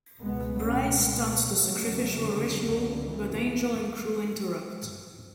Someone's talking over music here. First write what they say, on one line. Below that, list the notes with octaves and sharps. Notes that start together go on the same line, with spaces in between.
Bryce starts the sacrificial ritual, but Angel and crew interrupt.
C#2 B2 G#3 B3
A3 C#4
C#2 B2 G#3 B3
F#3 A3
E2 C#3
D3 F#3
C#2 C#3
C#3 E3